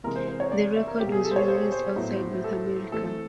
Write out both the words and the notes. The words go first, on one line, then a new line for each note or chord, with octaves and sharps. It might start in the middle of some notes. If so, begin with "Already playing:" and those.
The record was released outside North America.
C3 E3 G#3 A#4
C5
C5
C#5
D5
E5
A#4
B2 G3 A#3 G4
G#4
A4
C5
C#5
C5
C5
A2 F#3 B3
A4
E3 A3 C4 A4